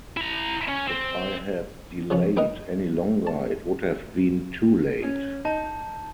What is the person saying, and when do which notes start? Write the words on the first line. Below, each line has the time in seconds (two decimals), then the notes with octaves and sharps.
If I had delayed any longer it would have been too late.
0.17 E4 A#5
0.68 C#4
0.87 C4
2.10 C#3 F3 C#4
2.37 D#4 A#4 B4 G5
3.27 A5
5.03 C#4
5.45 D#4 A5 G6